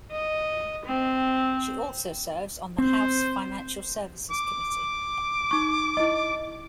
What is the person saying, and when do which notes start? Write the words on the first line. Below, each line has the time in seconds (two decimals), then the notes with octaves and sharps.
She also serves on the House Financial Services Committee.
0.11 D#5
0.85 C4
2.78 C4 C5
4.31 D6
5.51 D#4 C#6
5.97 E4 D#5